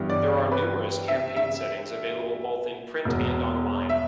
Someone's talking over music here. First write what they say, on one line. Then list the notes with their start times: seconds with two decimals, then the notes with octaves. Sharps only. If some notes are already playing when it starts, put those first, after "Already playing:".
There are numerous campaign settings available both in print and online.
Already playing: G2 E3 G3 B3 D4
0.10 D5
0.52 B4
1.08 E5
1.36 E5
3.05 E1 E2 B2
3.89 E5